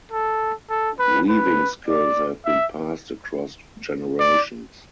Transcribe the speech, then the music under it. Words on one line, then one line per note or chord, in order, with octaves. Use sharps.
Weaving skills have been passed across generations.
A4
A4
B4
B4
D5
E5
D5